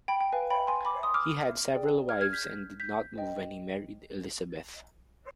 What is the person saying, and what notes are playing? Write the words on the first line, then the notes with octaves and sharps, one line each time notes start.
He had several wives and did not move when he married Elisabeth.
G5 B5
G5
B4 F5 G#5
G5 B5
G#5 C6
B5 D6
C6 D#6
D6 F6
G#4 D5 G5
F6 G#6
F6 G#6
G6 B6
G6 B6
C5 D#5 G5